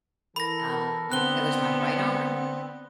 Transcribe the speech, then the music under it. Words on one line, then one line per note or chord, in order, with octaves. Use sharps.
Um, it was my right arm,
E3 A4 A#4 B5 A#6
D3 B3 C4 F#6 G7